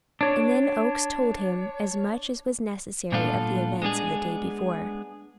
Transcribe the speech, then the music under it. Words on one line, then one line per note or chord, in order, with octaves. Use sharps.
And then Oakes told him as much as was necessary of the events of the day before.
D4 C#5
A#2 G3 B3 D4 F4 A4
G#3 B3 D4 G#4